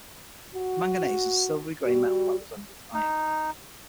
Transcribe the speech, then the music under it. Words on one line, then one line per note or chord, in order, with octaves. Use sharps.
Manganese is a silvery-gray metal that resembles iron.
F#4
G3 F#4
D#4